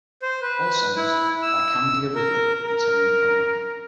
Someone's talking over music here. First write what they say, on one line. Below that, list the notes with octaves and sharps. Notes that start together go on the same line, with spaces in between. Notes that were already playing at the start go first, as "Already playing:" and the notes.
All songs by Candia Ridley and Tony McKormack.
C5
B4
E4
E6
A#4
A#4